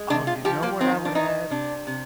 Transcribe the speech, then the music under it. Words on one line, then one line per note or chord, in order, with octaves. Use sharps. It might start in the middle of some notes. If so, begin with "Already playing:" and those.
Oh, you know what I would add?
Already playing: G#3
C3 D4
F4
F3 G4
A#3
D#3 C4
D4
D#3 D#4
C3 D4
C3